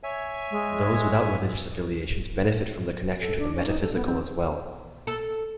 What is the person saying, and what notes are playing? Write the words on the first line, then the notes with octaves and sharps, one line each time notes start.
Those without religious affiliations benefit from the connection to the metaphysical as well.
C#5 E5 G#5
G#3
A4
D4
C#4
D#4
A4
B3
C4
A4